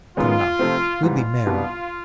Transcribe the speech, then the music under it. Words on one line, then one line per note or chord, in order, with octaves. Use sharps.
Come now, we'll be merry.
F#2 D#3 G#3 B3 F4
C3 F3 A3 C4
G#2 E3 G3 F4
C2 B2 G3 B3 D4